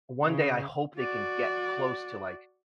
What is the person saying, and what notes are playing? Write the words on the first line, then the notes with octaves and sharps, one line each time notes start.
one day I hope they can get close to, like,
C#3
F#4 D5